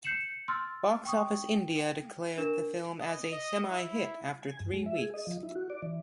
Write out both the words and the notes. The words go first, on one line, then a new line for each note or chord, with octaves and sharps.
Boxofficeindia declared the film as a "semihit" after three weeks.
G6 C7 C#7 E7 F#7
C6 E6 F6 A6
G5 C#6 D#6
G5
D4 A#4 E7
D#5
D#5
E4
G#5
G2
G#3
E5
G#4
D#5
F3
E4
F#4
D5
E3